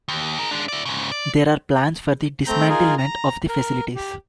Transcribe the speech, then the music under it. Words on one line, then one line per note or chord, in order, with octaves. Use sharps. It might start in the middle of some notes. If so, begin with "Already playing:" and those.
There are plans for the dismantlement of the facilities.
D#2
G#4 A#4
G#3 D4
E4 D5
G#2 C#3
D5
A3 C4 A#5 G6
D#4 F4 G#4 A#4
A#5
A#4
G4